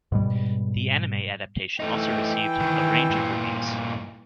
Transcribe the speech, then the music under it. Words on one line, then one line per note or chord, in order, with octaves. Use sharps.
The anime adaptation also received a range of reviews.
G#2 B2 G3
E3 A3 D#4 G5
C2 D#3
G2 A#2